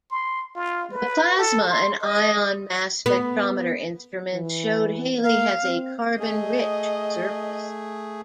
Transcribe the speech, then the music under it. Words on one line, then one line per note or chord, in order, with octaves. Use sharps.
The plasma and ion mass spectrometer instruments showed Halley has a carbon-rich surface.
C6
F4
B4
A4
C6
D#5
B3
E3
A#3 F5
C4
A3 G#4 D#5